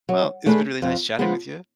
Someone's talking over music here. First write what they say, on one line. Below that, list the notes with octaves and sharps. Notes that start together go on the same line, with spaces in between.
Well, it's been really nice chatting with you.
F#3
A3 D4 G#4 B4
F2
F3 G#3 B3